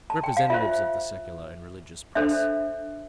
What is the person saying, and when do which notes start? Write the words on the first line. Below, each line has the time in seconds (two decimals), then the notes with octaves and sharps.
Representatives of the secular and religious press!
0.10 A5
0.24 G5
0.37 F5
0.50 F4 C5 E5
2.15 D4 A4 C5 E5